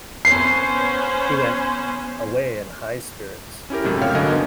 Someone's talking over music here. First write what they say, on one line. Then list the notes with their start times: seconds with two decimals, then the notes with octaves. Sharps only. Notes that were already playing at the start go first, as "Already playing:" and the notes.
He went away in high spirits.
0.25 B3 C#4 C5 C7
3.70 C#4 E4 G4 A#4
3.84 F2 G#2 C3 F#3 A3
4.01 G1 C#3 C#5 F5 G5 F6
4.15 G1 D3 F#3 A#4 D#5 G#5
4.30 B3 D4 D#4